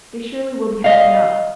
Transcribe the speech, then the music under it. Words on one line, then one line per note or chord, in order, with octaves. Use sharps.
"They surely will be help enough."
D#5 F5